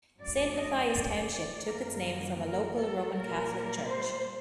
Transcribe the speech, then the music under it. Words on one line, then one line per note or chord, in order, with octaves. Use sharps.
Saint Mathias Township took its name from a local Roman Catholic church.
F#2 D3 A3 D5
D#5
D5
D5
F#2 D#3 G3 A#3 A#4
A#4
A4
A#2 G3 A#3 A#4
C5